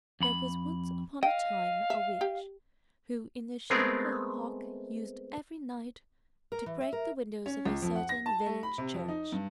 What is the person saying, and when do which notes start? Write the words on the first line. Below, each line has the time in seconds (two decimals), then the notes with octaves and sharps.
There was once upon a time a witch, who in the shape of a hawk used every night to break the windows of a certain village church.
0.20 F2 B5
1.23 D#5 F5 G5
1.90 E5
2.21 G4
3.70 G#3 A3 B3 C4 G#4 A#4
6.52 A#4
6.66 E3
6.81 E5
6.93 A#4
7.46 C#4
7.65 C#2
7.82 F2
7.96 F#5
8.09 A#6
8.26 A5
8.46 A3
8.63 B5
8.78 C3
8.94 F2
9.09 D#4
9.32 G2